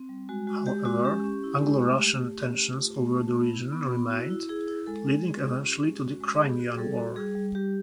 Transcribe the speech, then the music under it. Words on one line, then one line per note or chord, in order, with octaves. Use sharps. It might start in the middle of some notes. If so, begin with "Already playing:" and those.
However, Anglo-Russian tensions over the region remained, leading eventually to the Crimean War.
Already playing: C4
G3
G#3 F#4
G#3 F#4
G#3 G4
G#3 F#4
C#4 G4
C#4
E4
G#3
A3
A3
A3
C#4
A3
F4
A3
A3
B3
E4
B3
B3
E4 F#4
E4
E4 G#4
E4
G#3 A4
G#3
G#3 G#4
F4
C#4 G4
G#4
G#3 G4
C#4 F#4
G#3
G#4
B3 G4
F#4
G#4
G3 A4
F#4
G3 G#4
G3
G3 G4